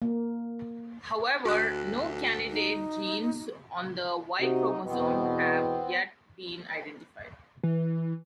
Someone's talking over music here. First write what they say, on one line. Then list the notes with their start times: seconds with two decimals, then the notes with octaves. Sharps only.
However, no candidate genes on the Y chromosome have yet been identified.
0.02 A#3
1.45 D2 F#4 F#6
2.50 D#4
4.40 C3 D#4 F#4
4.85 E2 B2 B3 C4
7.63 E3